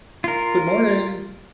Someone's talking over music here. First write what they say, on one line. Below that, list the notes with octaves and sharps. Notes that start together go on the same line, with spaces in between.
Good morning.
F4 A#4